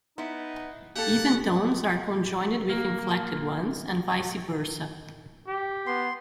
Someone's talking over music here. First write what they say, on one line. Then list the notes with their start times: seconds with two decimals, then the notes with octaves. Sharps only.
Even tones are conjoined with inflected ones, and vice versa.
0.18 B3 D#4 E4
0.96 A#3 G4 A4 F#5
2.70 A#3
5.47 G4
5.87 B3 C6